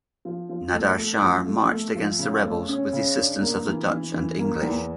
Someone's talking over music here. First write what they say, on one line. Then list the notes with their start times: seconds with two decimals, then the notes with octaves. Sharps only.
Nader Shah marched against the rebels with the assistance of the Dutch and English.
0.25 F3
0.49 F3
0.74 A3
0.97 A3
1.22 F3
1.46 A3
1.71 A3
1.95 F3
2.19 C#3
2.44 A3
2.69 C#4
2.92 C#3
3.16 D4
3.41 A#3
3.66 E3
3.90 E3
4.14 E3
4.39 A#3
4.63 E2